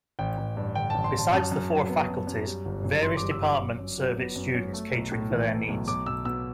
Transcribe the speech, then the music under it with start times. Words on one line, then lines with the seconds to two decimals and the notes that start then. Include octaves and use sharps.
Besides the four faculties, various departments serve its students, catering for their needs.
0.19 A1 G5
0.38 A1
0.57 G2
0.75 D3 G5
0.90 A1 A5
1.04 C6
1.13 A1 A5
1.32 F#2 A5
1.52 F#2
1.70 F#3
1.89 B3
2.09 F#2
2.27 F#2
2.46 G3
2.65 G1
2.84 F#2
3.03 E3 C6
3.17 D6
3.23 G3
3.31 E6
3.41 G1 D6
3.60 F#2
3.79 F#2
3.98 F#3
4.17 B3
4.36 F#2
4.55 F#2
4.74 A3
4.92 B1
5.12 A2
5.31 E3
5.49 A3
5.68 B1
5.87 B1 D6
6.06 B1 E6
6.25 B2 E6